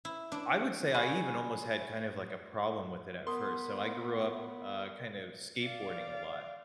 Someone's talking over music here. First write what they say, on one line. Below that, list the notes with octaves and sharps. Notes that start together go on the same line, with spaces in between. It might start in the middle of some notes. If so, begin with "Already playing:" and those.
I would say, I even almost had kind of, like, a problem with it at first So I grew up, uh, kind of, skateboarding a lot,
E4
D4 E4
G#4 G#5 B5 C#6
B3 A#4 C6 D#6
D5 F5